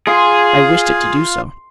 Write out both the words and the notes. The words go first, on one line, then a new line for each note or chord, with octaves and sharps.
"I wished it to do so."
F4 G#4 F5 C6